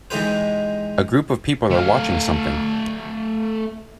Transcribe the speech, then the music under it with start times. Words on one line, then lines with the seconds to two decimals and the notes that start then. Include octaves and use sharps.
A group of people are watching something.
0.10 E3 G#3 D#4 G4 B4 C5
1.71 A3 F5